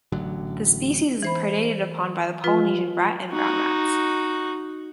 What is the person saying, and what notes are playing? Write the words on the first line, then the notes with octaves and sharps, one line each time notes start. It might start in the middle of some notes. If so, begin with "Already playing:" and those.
The species is predated upon by the polynesian rat and brown rats.
A1 D3 F#3
E3 C5 B5
F3 F4 B4
D#4 F#4